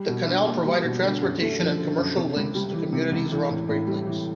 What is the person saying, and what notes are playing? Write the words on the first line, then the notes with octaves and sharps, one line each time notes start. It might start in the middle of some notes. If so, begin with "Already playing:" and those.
The canal provided transportation and commercial links to communities around the Great Lakes.
Already playing: G3
B2
D4
A#3
G3
B2
D3
F#2
A3
F3
D3
F#2
C3
C#2
G3
E3
C3
C#2
E3
A2
A2
G3
E3